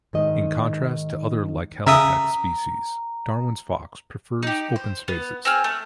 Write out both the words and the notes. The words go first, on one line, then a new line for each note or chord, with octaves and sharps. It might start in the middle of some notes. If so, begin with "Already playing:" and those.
In contrast to other "Lycalopex" species, Darwin's fox prefers open spaces.
G#2 D#3 D#5
C#3 E5 A#5 D#6
D#4 G4
C5
B3
C4 G#4 F6
A3